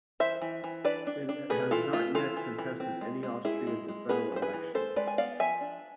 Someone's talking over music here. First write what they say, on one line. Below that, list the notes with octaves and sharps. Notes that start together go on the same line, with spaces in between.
It has not yet contested any Austrian federal election.
E3 C5 E5
E3
E3
D4 B4 D5
D4
D4
A3 G#4 B4
E3 F4 A4
A3 F4
E3 F4 A4
E3
E3
C4
G#3
G#3
G#3 E4 G#4
G#3
G#3
B3 G#4 B4
E3 C5
G#4 B4
E3
G#3 A4 C5
G#3 B4 D5
G#5
B3 D5 F5
F3 E5 G#5
D4